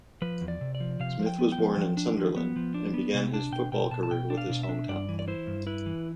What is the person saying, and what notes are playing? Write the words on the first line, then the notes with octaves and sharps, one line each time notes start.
Smith was born in Sunderland, and began his football career with his home-town club.
F3 B4
E2
D5
C3
D5
F3
C3 F5
F3
G5
B3
G5
F3
F3
D4
F3
B3
F3
D4
B3
C3
D4 A5
B2 G5
B2 G5
B2 A5
A5
B2 G5
D4
F5
B2
E5
D4
G2 D5
E3
D5
E4 C5
G2
E4 B4
E3